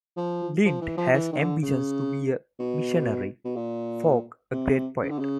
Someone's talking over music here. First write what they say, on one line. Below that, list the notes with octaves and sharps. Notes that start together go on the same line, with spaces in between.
Lind has ambitions to be a missionary, Falk a great poet.
F3
F3
E3
F3
E3
D#3
D3
C#3
B2
B2
A#2
C3
C#3
D3
C#3